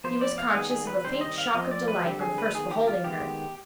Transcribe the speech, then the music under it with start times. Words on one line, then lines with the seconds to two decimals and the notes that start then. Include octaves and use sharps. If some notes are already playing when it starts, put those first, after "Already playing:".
He was conscious of a faint shock of delight on first beholding her.
0.04 F3 B3 C5
0.21 D5
0.38 F5
0.54 D#3 G3 B3 G#4
0.71 G#4
0.87 B4
1.04 D#3 G3 C4 C5
1.21 D#5
1.38 F5
1.54 F3 C4 D#5
1.71 D5
1.88 B4
2.04 D3 G3 C4 G4
2.21 G#4
2.38 B4
2.54 D#3 B3 G#4
2.71 G4
2.88 F4
3.04 D#3 G#3 B3 G4